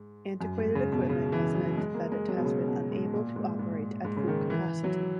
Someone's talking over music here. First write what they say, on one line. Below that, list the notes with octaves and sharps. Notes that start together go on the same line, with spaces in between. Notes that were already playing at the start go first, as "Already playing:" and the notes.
Antiquated equipment has meant that it has been unable to operate at full capacity.
Already playing: G#2
F#2
G#2
C#3
B2
C#3
E3
F#3
G#3
A#3
G#3
F#3
B2
C#3
B2
G#2
A#2
G#2
G#2
G#2
C#3
D#3
E3
F#3